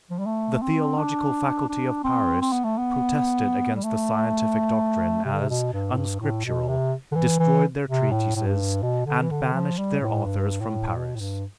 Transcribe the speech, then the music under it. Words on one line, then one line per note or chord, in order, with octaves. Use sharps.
The theological faculty of Paris protested against the scientific doctrine as unscriptural, destroyed their treatises, and banished their authors from Paris.
F3
G3
A3
C4
D4
D4
C4
C4
B3
A3
B3
G3
A3
C3
D3
C3
B2
G2
A2
G2
A2
B2
C3
D3
E3
E3
C3
A2
A2
G2
B2
D3
E3
D3
F3
G3
A2
G2
A2
B2
A2
G2